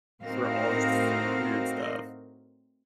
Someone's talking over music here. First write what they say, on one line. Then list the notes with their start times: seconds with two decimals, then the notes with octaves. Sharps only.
for all this weird stuff.
0.22 A2 C4 D#4 F#4 A#4 F5